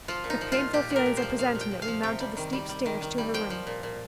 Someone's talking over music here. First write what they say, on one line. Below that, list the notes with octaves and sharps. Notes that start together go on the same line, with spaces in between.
With painful feelings of presentiment we mounted the steep stairs to her room.
F3 F4
A#2
D#4
F3
F4
A#2
A#2 G4
F3
A#4
A#2
C5
F3
F3 F5
A#2
G5
F3
F5
F3
C3 G5
G3
D#3
G3
G3
D#3
D#3
G3
F3 G5
F3
A#2
A#2